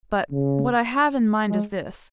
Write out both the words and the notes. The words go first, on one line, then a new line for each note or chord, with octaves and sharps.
But what I have in mind is this.
C#3
G#3